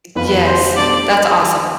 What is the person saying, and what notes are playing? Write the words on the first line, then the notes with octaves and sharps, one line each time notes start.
Yes, that's awesome.
F1 F2 E3 B3 F4 B4
C5
B2 G3 D4 A4 C5 D5